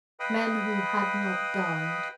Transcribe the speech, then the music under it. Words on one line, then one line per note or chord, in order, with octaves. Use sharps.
Men who had not died!
B4 D#5 F5 G5 B5 D#6